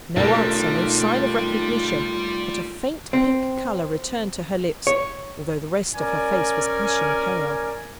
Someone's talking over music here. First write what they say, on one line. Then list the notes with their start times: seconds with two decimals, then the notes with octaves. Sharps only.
No answer; no sign of recognition; but a faint pink colour returned to her lips, although the rest of her face was ashen pale.
0.17 B1 D#3 G3 A3 A#3 F4
3.13 C4
4.87 C#5
5.95 C#4 A#4 D5 G#5